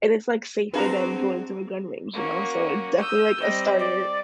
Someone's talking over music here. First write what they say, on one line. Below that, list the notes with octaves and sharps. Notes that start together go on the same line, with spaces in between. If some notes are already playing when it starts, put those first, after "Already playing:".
and it's, like, safer than going to a gun range, you know? So definitely, like, a starter
C4 D4 F#4 G#4 B4 F5 A#5
A#3 C#4 F#4
D#6 E6 G6
G3 C4 D#5
D5